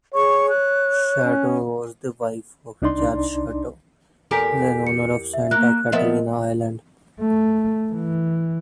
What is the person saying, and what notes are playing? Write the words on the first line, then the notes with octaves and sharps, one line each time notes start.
Shatto was the wife of George Shatto, then-owner of Santa Catalina Island.
G#4 C#5 C#6
F#6
C#4
C2 D4 D#4 D5 C6
E2 G4 A4 A#4 G#5 B6
C#7
E5
A#3 F#6
F3 B3 A#4 D#5 E5
A3
E3